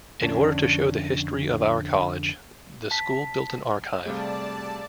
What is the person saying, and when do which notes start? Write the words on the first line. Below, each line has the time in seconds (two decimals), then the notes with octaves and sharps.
In order to show the history of our college, the school built an archive.
0.21 F2 D3 C#4 C#5 D5 A5
2.91 A5 B6
4.06 C3 G3 A3 G#4 D5 F5 A5